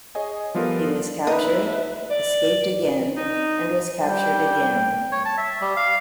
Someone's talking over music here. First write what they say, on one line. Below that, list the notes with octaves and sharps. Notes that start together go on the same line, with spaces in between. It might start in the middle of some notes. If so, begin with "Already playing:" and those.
He was captured, escaped again and was captured again.
G#4 C#5 D#5 G#5
F3 G3 B3 F4 A4 A#4
A#3 D#4 B4 D#5 E5
D5
D#4
G3 G5
C#5
A5
E5
G3
F5